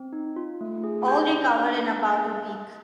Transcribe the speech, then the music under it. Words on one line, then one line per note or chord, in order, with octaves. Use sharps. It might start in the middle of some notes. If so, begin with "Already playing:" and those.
All recovered in about a week.
Already playing: C4
D#4
F4
A3
G#4
G4 G6
D4
D4
B3
G#4